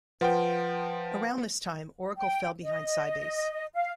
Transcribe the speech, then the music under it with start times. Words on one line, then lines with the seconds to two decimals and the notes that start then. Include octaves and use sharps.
Around this time, Oracle fell behind Sybase.
0.21 F3 B4 F#5 G5 C6
2.17 G5
2.63 D#5
3.73 F5